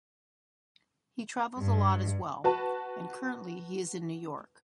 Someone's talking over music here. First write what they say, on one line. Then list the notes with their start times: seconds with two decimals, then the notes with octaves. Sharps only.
He travels a lot as well, and currently, he is in New York.
1.59 G2
2.44 F#4 B4 A5